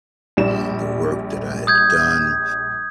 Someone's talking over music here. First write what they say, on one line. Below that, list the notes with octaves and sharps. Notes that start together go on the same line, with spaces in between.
uh, the work that I had done.
A#1 G3 E7
D#6 G6 G#6